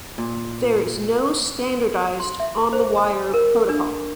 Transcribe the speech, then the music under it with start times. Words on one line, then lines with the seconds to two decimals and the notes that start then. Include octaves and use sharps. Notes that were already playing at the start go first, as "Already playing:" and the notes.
There is no standardized on-the-wire protocol.
0.18 A#2
2.20 C6
2.40 E5
2.73 C5
2.97 D#5
3.34 A#4
3.69 D4